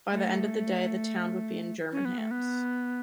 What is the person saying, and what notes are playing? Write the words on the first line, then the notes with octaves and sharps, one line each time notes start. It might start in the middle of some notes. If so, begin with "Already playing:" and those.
By the end of the day, the town would be in German hands.
A3
C#4
B3
A3
B3